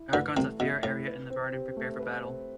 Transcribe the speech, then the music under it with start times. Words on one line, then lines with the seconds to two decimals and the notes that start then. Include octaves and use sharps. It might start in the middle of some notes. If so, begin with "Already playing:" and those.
Eragon, Saphira, Arya, and the Varden prepare for battle.
Already playing: E4 E5
0.13 D2 D3 B4
0.37 C2 C3 A3
0.60 B2 E5
0.83 A2 E4
1.07 B4
1.30 C4
1.53 G4
1.77 A3
1.99 B4
2.23 C4